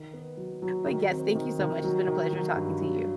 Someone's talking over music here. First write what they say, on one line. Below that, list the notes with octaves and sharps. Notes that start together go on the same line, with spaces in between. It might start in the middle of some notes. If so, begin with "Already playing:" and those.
but, yes, thank you so much. It's been a pleasure talking to you.
Already playing: D#3
B3
F#3
F#3
D#3
C4
D#3
D#3
F#3
D#3
F#3
G2
F#3